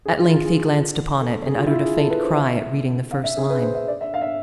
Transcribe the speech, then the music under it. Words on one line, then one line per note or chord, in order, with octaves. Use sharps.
At length he glanced upon it, and uttered a faint cry at reading the first line.
G#4
F4
G#4
G#4
A4
G#4
F4
E4
F4
G#4
A4
B4
C5
E5
F5
E5
G#4
B4
C5
E5
D5
E5
F5
E5